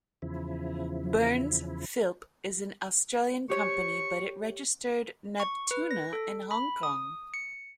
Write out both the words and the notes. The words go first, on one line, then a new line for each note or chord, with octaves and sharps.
Burns, Philp is an Australian company but it registered "Neptuna" in Hong Kong.
E2 C#3 F3 E4
G4 C#5 C#6
C#6
B4
A#6
A4
B5
D#6
C#7